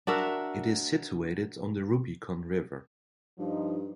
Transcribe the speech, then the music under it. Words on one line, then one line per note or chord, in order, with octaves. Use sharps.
It is situated on the Rubicon River.
D4 F#4 A#4 E5
G2 F3 D#4